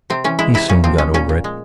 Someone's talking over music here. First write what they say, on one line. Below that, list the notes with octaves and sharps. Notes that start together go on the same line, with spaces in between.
He soon got over it.
C3 C4
E3 C#4
G#3 E4
C3 E4
A#2 C#4
F3 C4
G#3 C#4
A#2 C#4
A#2
G#3